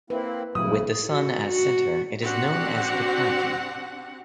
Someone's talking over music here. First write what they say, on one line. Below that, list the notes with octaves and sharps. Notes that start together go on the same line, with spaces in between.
With the sun as center, it is known as "Copernican".
A#3 C4 E4 B4
G#1 A#2 C#3 F#3 E4 D#6
F#4
F#4
C4 D4 F#4 G4 F#5